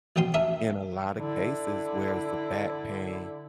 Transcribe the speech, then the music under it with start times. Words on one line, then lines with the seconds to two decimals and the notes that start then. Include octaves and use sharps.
in a lot of cases where it's the back pain
0.16 A1 B2 C#4 G5 C6
0.34 C#4 D4 A#4 E5
1.16 D3 E4